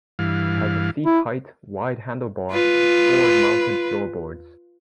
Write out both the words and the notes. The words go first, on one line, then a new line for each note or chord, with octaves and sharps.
It has a seat height, wide handlebar, forward-mounted floorboards.
G2 E3 F5
E4
F4 B4